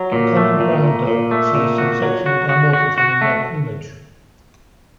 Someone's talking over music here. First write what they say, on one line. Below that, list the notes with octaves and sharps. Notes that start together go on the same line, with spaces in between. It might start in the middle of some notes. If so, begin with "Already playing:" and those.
The common ground dove shows some sexual dimorphism in their plumage.
Already playing: F#3
A#2
A3
A#2
A#2
A#2
A3
A#2
F#4
F#3
F#4
F#4
F#4
F#4
A3